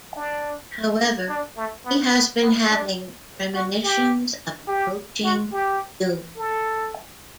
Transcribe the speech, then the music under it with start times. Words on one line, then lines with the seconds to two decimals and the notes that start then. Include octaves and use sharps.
However, he has been having premonitions of approaching doom.
0.17 D4
1.29 D4
1.57 A3
1.86 B3
2.14 B3
2.42 B3
2.70 D4
3.55 F#4
3.84 G4
4.68 G4
5.24 F#4
5.52 G4
6.38 A4